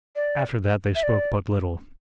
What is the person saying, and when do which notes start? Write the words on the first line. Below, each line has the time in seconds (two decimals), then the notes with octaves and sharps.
After that they spoke but little.
0.16 D5
0.95 E5
1.03 D5